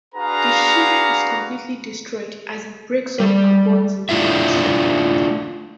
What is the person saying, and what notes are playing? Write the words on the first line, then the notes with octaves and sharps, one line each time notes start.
The ship is completely destroyed as it breaks up and burns in the atmosphere.
D4 F#4 G#4 B4 F5 A#5
G3
A3 D4 E4 F4 E5